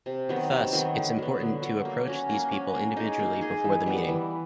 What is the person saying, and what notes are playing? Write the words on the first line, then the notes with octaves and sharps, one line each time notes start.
Thus, it's important to approach these people individually before the meeting.
C3
D#3 F#3 B3
C3
D#3 F#3 B3
D3
F#3 B3
D3
F#3 B3
A#3
C#4 F#4
A#3
C#4 F#4
A#3
D#4 G#4
A#3
D#4 G#4
E3
G3 B3
E3